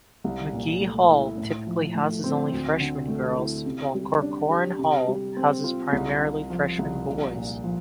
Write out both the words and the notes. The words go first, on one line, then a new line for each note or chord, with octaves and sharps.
McGee Hall typically houses only freshmen girls, while Corcoran Hall houses primarily freshmen boys.
C2
A#2
A3
E4
A2
F3
A3
C4
D2
D3
A3
E4
C3
G3
D4
G4
C3
G3
C4
F4
C2
C3
F3
C2
A#1
A#2
F3